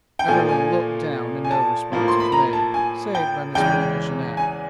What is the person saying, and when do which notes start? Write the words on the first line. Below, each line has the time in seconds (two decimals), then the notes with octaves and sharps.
Everyone looked down and no response was made, save by Miss Plantagenet.
0.19 G5
0.28 A#2 F3 A3 G#5
0.49 G#5
1.45 G#5
1.51 A5
1.92 A2 F3 A#3
2.08 C6
2.20 B5
2.32 A#5
2.53 A5
2.74 G#5
3.15 G5
3.55 E2 C#3 E3 G#3 G5
4.37 G#5